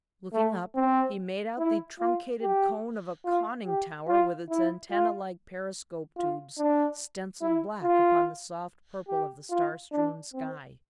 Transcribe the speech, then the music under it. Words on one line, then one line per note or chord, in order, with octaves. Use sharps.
Looking up, he made out the truncated cone of a conning tower with its antennae-like periscope tubes stencilled black upon the soft purple of the star-strewn sky.
A3
C4
E4
F4
G4
F4
G4
F4
E4
F4
F4
D4
E4
F4
G4
F4
D4
C4